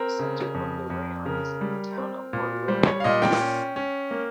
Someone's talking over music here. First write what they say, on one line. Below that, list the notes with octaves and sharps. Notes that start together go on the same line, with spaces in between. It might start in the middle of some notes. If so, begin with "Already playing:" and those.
The center of the raion is in the town of Horlivka.
Already playing: C4 A#4
C#3
F2
F2
C#3 A#4
G3
C4
A#2
G3 C5
C#5
F5
A#2 D#5
G5
C#4
C#4
A#3